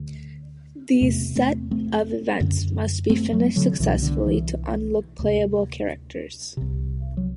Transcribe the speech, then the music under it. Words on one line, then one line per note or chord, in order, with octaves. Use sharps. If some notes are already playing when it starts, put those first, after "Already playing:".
These set of events must be finished successfully to unlock playable characters.
Already playing: D2 D3
E2 C3 A3 C4
A3 C4
A3 C4
F#2 D3
A3 C4
F#3 A3
D3 F#3
D3
C2 B2 E3
D3
E3
D2 C3
C2 C3
F#3